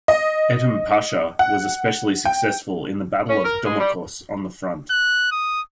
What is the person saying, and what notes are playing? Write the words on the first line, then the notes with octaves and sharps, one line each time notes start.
Edhem Pasha was especially successful in the Battle of Domokos on the front.
D#5
F#5
G5
C#4
A#4
G#3
G3
F#6
D#6